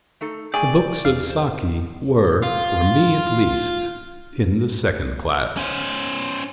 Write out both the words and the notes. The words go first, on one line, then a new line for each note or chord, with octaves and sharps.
The books of "Saki" were, for me at least, in the second class.
A3 D#4 A4
A3 G#4 D5 G5 G#5
E2 F5
C5
F4 F5
C#4 C5